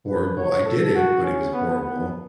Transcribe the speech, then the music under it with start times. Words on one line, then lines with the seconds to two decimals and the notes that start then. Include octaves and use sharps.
horrible. I did it, but it was horrible.
0.08 B4
0.37 C#5
0.65 A4
0.95 F#4
1.23 C#4
1.52 B3
1.81 B3